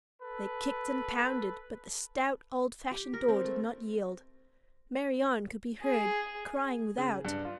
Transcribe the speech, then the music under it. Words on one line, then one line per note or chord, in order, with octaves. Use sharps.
They kicked and pounded, but the stout old-fashioned door did not yield. Marianne could be heard crying without.
A4 B4
G4
A#4
C4
A3
G#4
C#3
G2
F4